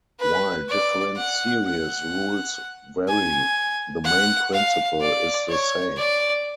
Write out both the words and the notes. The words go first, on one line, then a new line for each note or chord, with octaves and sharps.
While different series rules vary, the main principle is the same.
B4
D5
F#5
F#5
G#5
F#5
F5
D5
C#5
D5